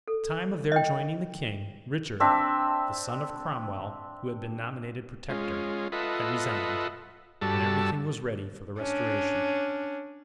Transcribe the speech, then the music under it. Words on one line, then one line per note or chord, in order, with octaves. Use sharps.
At the time of their joining the king, Richard, the son of Cromwell, who had been nominated Protector, had resigned, and every thing was ready for the Restoration.
A4
D#5 G5
C4 D4 E5
G#3 C#4 F4
F4 A4 B4 D#5 E5 F#5
G2 G3 F#4 A4 A5 E6
C#4 D4